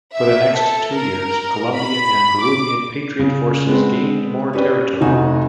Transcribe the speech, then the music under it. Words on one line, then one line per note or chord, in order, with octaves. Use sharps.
For the next two years Colombian and Peruvian patriot forces gain more territory.
E5
A4
A#4
B5
D6
C#3
G#3 B3 C4
C#4 G4 B4 D5
F1 D#4 F#4 G#5